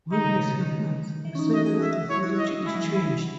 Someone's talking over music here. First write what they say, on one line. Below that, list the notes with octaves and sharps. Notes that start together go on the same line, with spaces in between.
When this happens, the site of the village is changed.
D#3 D#4
C#3
B2
C#3
D#3
E3
C#4
D#4
F#4 D#5
G#4
F#4 E5
E4 C#5
F#4
E4 D#5
G#3 E4
F#3
E3
F#3 E4